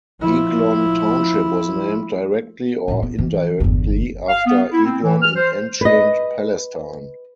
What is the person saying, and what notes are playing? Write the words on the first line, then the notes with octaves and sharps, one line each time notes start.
Eglon Township was named directly, or indirectly, after Eglon in ancient Palestine.
F3 E4
A2 D#4
B3
E3
G1 E2
F5
B3
E4
C4
E3
F6
C5
B4 D#5